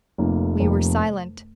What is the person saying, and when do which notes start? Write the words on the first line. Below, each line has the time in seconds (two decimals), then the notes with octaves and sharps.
We were silent.
0.18 F1 F2 C3 F3 A#3
0.59 F1 F2 C3 F3 A#3